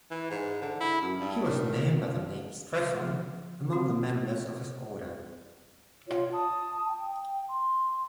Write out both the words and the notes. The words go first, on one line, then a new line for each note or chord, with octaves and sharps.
He was known by the name Strephon among the members of this order.
E3
G#2
D3
E4
F#2
G2
D#3
F3
F3
C4 F#4
F4 C#5
A5 D#6
G5
C6